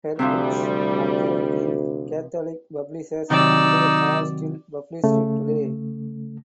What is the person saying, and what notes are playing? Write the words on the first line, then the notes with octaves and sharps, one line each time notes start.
Her books appeared in Catholic publishers and are still published today.
D2 C3 E3 F3 G3
C3 D#3 F#3 D#4 D5 E6
C#3 A3